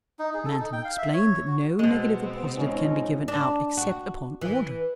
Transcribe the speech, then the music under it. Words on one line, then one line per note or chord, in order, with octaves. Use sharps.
Manton explained that no negative or positive can be given out except upon order.
D#4
G#4
A4
D#4
G5
F5
E5
C#5
F#4
B2 G#3 B3 C4
G#2 F3 C#4 D#4
D4
F#4
E3